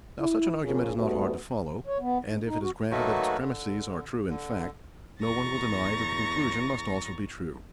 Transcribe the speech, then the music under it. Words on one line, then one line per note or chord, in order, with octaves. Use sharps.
Now such an argument is not hard to follow; and if it is granted that its premisses are true in fact, no one will deny that the conclusion must also be true.
E4
A#2 C#3 F3 F4 G#4 A#4
G#2 G3 A3 B3 F#4
C#5
B3
G#2
D#4
F#4
D#3 F#3 A3 A#3 F#4 B4
D3
D3
E2 A#5 C#6 A6 A#6